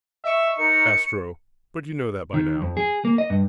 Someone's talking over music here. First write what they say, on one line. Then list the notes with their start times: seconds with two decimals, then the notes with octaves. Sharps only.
"Astro, but you know that by now."
0.24 D#5 E5 C#6
0.58 D#4 A#4 C#7
2.34 D#3
2.62 F2
2.77 G#4
3.05 A#3
3.18 D#5
3.30 G2